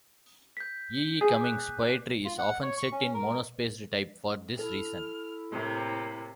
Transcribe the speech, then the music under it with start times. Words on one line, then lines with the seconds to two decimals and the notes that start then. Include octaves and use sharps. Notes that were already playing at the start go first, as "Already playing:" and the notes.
E. E. Cummings' poetry is often set in monospaced type for this reason.
0.57 G6 B6
1.21 G#4
1.41 D6 F#6
2.25 F4
2.38 F#5
2.62 C#5
2.78 C#6
2.92 C#4
3.14 A#4
4.59 E4 A4 F6
5.51 A2 C3 A#3